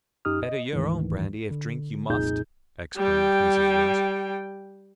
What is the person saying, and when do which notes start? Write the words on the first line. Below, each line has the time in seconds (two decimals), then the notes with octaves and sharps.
'Better your own brandy, if drink you must!' exclaimed Mrs. Rusk.
0.25 F#2 D#4 G4 D#6 F6
0.43 D#5
0.73 D2 G#2 D#3 E3
1.51 D3
2.09 C2 F2 A#2 D#4 G#4 G6
2.97 G3 G5